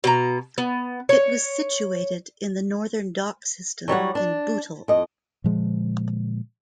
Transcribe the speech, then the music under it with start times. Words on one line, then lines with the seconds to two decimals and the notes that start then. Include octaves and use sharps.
It was situated in the northern dock system in Bootle.
0.04 B2 A#5
0.58 B3
1.09 C#5
3.88 F#3 G3 C#5 F#5
4.15 D4
4.88 F2 D#5
5.44 A#2 D3 F3 G#3